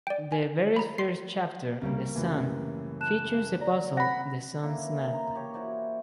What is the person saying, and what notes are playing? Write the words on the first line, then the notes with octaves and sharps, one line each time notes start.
The very first chapter, "The Sun", features the puzzle "The Sun's Map".
D5 G5
G#5
A#5 B5
C6 C7
C2 C#3 G3 A#3
F#2 A2 E3
A5 F#6 E7
D5 A#5
F#5 B5 A#6
A#3 C#4 E4
E3
E5 A#5 C6
G4 C#5
E4 F#4 C5 D5